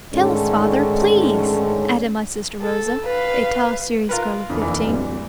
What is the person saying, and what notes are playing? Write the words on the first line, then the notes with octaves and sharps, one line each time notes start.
"Tell us, father, please," added my sister Rosa, a tall, serious girl of fifteen.
G#2 D3 D#3 A3 C#4
A4
B4 F5
F4 A#4 B4
F2 D3 E3
F1 D#2 E3
D1 A1 E2 G3